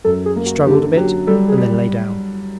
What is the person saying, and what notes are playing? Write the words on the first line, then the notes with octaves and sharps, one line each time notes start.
He struggled a bit and then lay down.
F#2 A4
G#4
A#3
F#4
D3 G4
F#3 G4
G3 A4
G#4
G3